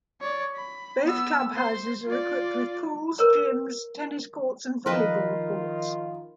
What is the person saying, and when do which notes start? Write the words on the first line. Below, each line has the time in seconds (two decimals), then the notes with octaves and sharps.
Both club houses are equipped with pools, gyms, tennis courts, and volleyball courts.
0.21 C#5 D5
0.55 B5
1.03 B3 E6
1.55 C5 C6
2.06 F4 D5
3.18 A#4 B4 C#5 A#5
4.86 D#3 F3 D#4 F4 A#4 B4 D#5